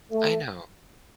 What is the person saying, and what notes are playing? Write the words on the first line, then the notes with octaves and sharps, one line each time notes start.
I know.
A3